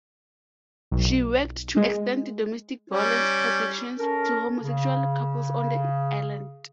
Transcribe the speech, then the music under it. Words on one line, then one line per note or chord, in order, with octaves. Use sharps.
She worked to extend domestic violence protections to homosexual couples on the island.
B1
G#3
G3 C#4
C#4 A4 A#4
C#3